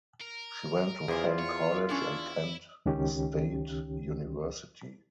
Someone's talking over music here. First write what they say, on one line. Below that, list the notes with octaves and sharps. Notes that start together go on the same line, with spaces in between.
She went to Fenn College and Kent State University.
A#4
E2 F4 G#4 C5 D5
C#5
C#4 D4 E4 F5
C#2 D#3 C#4 G4